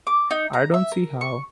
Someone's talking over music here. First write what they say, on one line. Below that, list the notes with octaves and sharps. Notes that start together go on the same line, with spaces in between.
I don't see how.
D6
D#4
A#5
E5
A#4
C#6